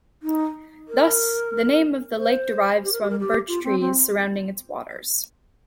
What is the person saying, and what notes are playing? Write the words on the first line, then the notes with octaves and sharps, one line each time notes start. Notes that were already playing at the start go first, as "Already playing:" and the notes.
Thus, the name of the lake derives from birch trees surrounding its waters.
D#4
A#4
C5
G4
A#4
G4
A#4
G4
F4
C4
C4